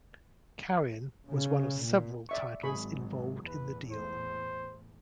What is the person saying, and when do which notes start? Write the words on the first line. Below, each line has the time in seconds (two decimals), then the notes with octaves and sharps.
"Karin" was one of several titles involved in the deal.
1.28 C#3
1.82 A#2
2.29 D5 E5 C#6
2.63 G#1 F#3 G#4 B5 C#6
3.47 E2 A2 B4
3.92 C5